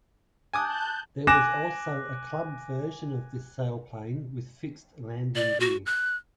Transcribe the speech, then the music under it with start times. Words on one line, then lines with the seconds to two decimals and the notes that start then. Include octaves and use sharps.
There was also a club version of this sailplane with fixed landing gear.
0.53 G#5 A5 D6 D#6 F#6 G6
1.27 G#5 D6 F#6 A#6 E7
5.36 D5
5.60 F#4
5.86 F#6